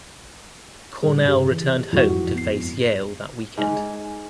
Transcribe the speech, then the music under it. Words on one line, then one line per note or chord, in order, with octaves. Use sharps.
Cornell returned home to face Yale that weekend.
A2 G3 G#4
G2 C#3 G4
E3
F2 G#2 E4 F#4
B3 C7
G#2 G#5